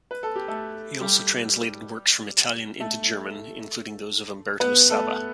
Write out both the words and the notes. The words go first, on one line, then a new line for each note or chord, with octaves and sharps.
He also translated works from Italian into German, including those of Umberto Saba.
B4
A4
G4
A3 A4
G3 G4
A3 A4
B3 B4
A3 A4